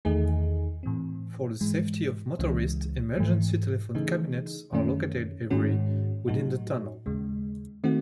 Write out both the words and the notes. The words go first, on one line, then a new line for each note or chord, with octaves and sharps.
For the safety of motorists, emergency telephone cabinets are located every within the tunnel.
E2 D#3 A3 D#4 G#4
A2 E3 C4
G#2 E3 G#3
C#2 C#3 E3 G#3
G#2 E3 A3
C#3 E3 A3 D#4 G#4
F#2 D#3 A3 C#4
G#2 D#3 G#3 C#4 F#4
A2 F#3 A3 D#4 F#4
D#2 C#3 G#3
D#3 A3 C4 F#4